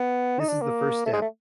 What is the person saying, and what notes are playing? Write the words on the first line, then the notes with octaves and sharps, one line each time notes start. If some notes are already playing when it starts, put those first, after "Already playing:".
This is the first step.
Already playing: B3
D#4
D4
A#3
A3
G#3
A3